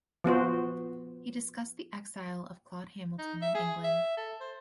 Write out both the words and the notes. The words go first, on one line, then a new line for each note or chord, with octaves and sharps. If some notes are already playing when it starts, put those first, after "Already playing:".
He discussed the exile of Claud Hamilton in England.
F3 B3 F#4 C5
D#4
E5
G#4
E5
A4
C5